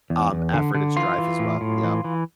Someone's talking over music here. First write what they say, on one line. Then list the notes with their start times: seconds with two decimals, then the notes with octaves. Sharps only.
um, effort and strife as well. Yep.
0.10 E2
0.33 E2
0.54 D3
0.75 D3
0.96 E3 F4
1.18 E3
1.39 A2
1.61 A2
1.84 E3
2.04 E3